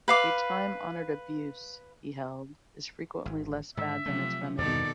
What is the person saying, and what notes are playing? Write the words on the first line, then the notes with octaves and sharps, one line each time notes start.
A time-honoured abuse, he held, is frequently less bad than its remedy.
B4 F5 D6
G#1
G#2 D#3 E5
C3 F3 F#3 A3
E2 G2 B2 D#3 A4 D5